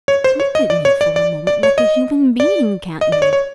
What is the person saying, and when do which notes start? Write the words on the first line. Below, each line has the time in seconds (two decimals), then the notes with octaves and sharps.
Look at me for a moment like a human being, can't you?
0.08 C#5
0.24 C5
0.40 C#5
0.55 D#5
0.70 D5
0.85 C#5
1.01 D5
1.16 D5
1.47 D5
1.63 C#5
1.78 D#5
2.40 D5
3.01 D#5
3.12 D5
3.22 C#5
3.33 C#5